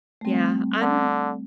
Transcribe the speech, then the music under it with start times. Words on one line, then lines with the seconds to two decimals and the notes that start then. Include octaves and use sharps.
Yeah, I'm
0.21 A3
0.25 G3 C4
0.81 D3